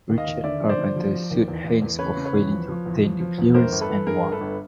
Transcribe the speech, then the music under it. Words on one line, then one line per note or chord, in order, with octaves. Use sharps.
Richard Carpenter sued Haynes for failing to obtain the clearances and won.
D#2
D#5 F5
D#2
D3 D5 E5
F3
C5 D5
D3
F3
F3
D#2
E2
E2
E2
C#3 B4 C#5
C#3
B4 C#5
E2
F3
F3
E2
F3
F3
E2
G1 A#4 C5
G1
A4 B4
E3
G2 G#4 A#4
G1
A4 B4
G1